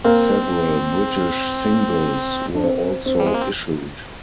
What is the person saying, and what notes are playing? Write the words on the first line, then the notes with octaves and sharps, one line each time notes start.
Several British singles were also issued.
A#3 C4
D4
C4
C4
G3
G#3
A#3
C4